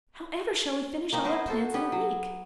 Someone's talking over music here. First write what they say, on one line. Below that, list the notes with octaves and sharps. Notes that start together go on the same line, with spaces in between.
However shall we finish all our plans in a week?
A#3 C4 D#4
B3 A#4 C5
F#4 A4 C5
B3 C#4 G4 B4
F#3